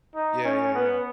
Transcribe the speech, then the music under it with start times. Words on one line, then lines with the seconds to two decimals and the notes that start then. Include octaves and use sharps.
Yeah, yeah, yeah.
0.15 D#4
0.44 C#4
0.75 B3